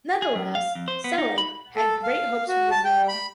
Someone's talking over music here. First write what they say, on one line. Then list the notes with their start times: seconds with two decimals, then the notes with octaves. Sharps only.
Nonetheless, Selig had great hopes for the zoo.
0.22 G#4
0.35 F#2
0.55 F5
0.75 F2
0.88 C5
1.04 B3
1.18 D#4
1.38 B5
1.77 A4
2.03 F5
2.48 F#4
2.71 A5
2.84 G5
3.08 B5